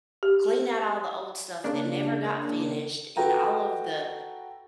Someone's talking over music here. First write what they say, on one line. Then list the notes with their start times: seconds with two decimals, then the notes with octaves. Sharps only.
clean out all the old stuff that never got finished and all of the
0.23 G4
1.64 C#3 A#3 D4
3.17 F#4 A4 B4 G5 A#5